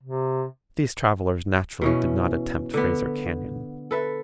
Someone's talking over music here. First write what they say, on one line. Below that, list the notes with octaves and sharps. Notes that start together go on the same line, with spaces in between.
These travellers naturally did not attempt Fraser Canyon.
C3
B2 E3 C#4
D3 B3
A4 B4 E5